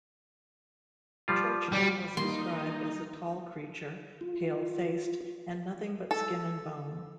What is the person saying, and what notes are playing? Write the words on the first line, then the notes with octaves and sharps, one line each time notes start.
Churchill was described as a tall creature, pale-faced, and nothing but skin and bone.
F3 G3 F4
G3
G3 A#3 D#4 C6
F4
A4